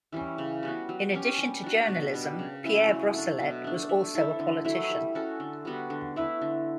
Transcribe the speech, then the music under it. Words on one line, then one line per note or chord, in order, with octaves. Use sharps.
In addition to journalism, Pierre Brossolette was also a politician.
E3 G3 C#4
C#3
G3 B3 F#4
F#3
C#4 G4
G3
D4 F#4
B2
G3 D4
C#3
F#3 C#4 E4
F#3
A3 D4
B2
A3 D4
A3
E4 A4
D3
F#3 A3 E4
G3
C#4 F#4 A4
D3
G3 B3 F#4
D3
A3 E4 B4
D3